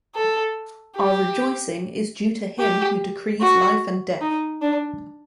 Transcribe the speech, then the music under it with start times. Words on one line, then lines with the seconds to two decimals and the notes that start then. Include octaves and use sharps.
Our rejoicing is due to Him who decrees life and death.
0.15 A4
0.97 G4
2.59 G4
3.41 F#4
4.21 D#4
4.62 D4